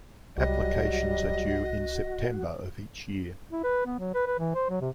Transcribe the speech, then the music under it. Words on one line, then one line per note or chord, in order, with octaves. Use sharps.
Applications are due in September of each year.
C2 F#3 G3 F#4 D#5
E4
B4
B3
F#3
B4
B4
E3
C5
F#3
C3